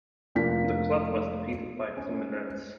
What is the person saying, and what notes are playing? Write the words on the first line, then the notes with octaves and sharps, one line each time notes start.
The club was defeated by Fluminense.
F1 A#3 D4 F4 B6
C#4